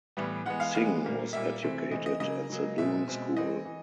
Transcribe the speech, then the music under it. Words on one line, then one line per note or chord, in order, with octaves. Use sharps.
Singh was educated at The Doon School.
A2 E3 G3 B3
E3 G#3 B3 F#5
F5
E3 G#3 B3 F5
A#2 G3 A#3
A#2 G3 A#3 E5
C3 E3 A3 C4
C3 E3 A3 C4 D#5
D#5
C#3 F#3 A#3 D#5
C#3 F#3 A#3
B2 G#3 C4 E5
B2 G#3 C4
E3 A3 C4 D#5
E3